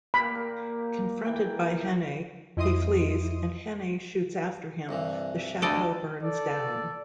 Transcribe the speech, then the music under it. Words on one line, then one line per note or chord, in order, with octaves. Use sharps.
Confronted by Hannay, he flees, and Hannay shoots after him; the chateau burns down.
A#2 A#3 G4 B5
A#4
E3 G5
F2 E4 D#5 C6 D#6
C2 G2 E3
D2 A4 D5 D#5
A4 D5